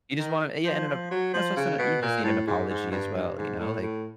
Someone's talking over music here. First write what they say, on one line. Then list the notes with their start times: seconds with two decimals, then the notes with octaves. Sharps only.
you just wanna Yeah, and then o that's also n you just need an apology as well, you know, like,
0.19 D#3
0.65 F3
0.88 F3
1.11 F#3
1.34 F3
1.56 C#3
1.79 B2
2.02 A#2
2.24 A2
2.47 G#2
2.70 G#2
2.91 G2
3.14 G2
3.37 G#2
3.60 A2
3.82 A2